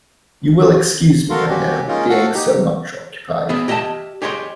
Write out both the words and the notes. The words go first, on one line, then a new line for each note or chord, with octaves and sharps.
You will excuse me, I know, being so much occupied.
F#4 A4 A#4 F5 C6
A#3 C#4 F#4 G4
G#3 A#3 C#4 D#4 F4 A#4
F#4 A4 F5 F#5
D#4 G4
B3 G#4 B4 D#5 E5
G4 D#5 E5 G5 A5
G4 G#4 C#5 D#5 G5 C6